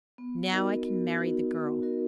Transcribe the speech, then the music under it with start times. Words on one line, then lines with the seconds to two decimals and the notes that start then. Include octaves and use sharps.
"Now I can marry the girl."
0.18 B3
0.51 D#4 F#4 A#4 D#5
0.85 B3
1.17 D#4 F#4 A#4 D#5
1.51 B3
1.82 D#4 F#4 A#4 D#5